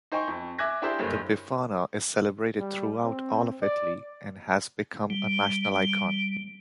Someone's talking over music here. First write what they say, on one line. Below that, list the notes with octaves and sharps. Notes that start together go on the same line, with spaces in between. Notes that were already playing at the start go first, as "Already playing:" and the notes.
The Befana is celebrated throughout all of Italy, and has become a national icon.
D#4 C5 D#5 G5 G#5 C#6
F2
E5 G#5 D6 F#6 G#6 A#6
D4 E4 G4 G#4 C5 E5
F#1 G2 D3 C5 C#5
G3
C4
D5
G3